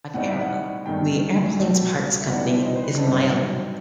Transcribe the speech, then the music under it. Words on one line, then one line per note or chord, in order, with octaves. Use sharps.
Wag-Aero, the aircraft parts company, is in Lyons.
A2 G3 C4 D#4 F#5
E5
F#5
G2 D#3 A3 D#4 G5
C2 B2 A3
E5
C3 E3 G3 D#4 F#5
E5
C5
D#5
C5
B4
A4
G2 F#3 C4 D#4 B4